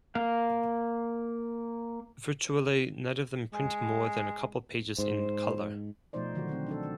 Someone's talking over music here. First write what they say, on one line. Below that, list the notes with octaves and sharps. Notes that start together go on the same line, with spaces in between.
Virtually none of them print more than a couple of pages in colour.
A#3 F5
G#3
G#2 C5
B2 F3 A3 D#4 C5 D5
D3 D#3 F#3 F#4
C4
D4 A4